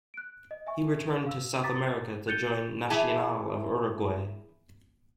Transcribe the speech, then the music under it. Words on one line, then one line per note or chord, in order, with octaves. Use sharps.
He returned to South America to join Nacional of Uruguay.
F#6 D7
D#5
E5 G#5 C#6
F5 E6
A#5 D6 D#6 A6 B6
F#6 G6 A6 C#7 D#7 G7
E3 E4 G#4 G#5 A5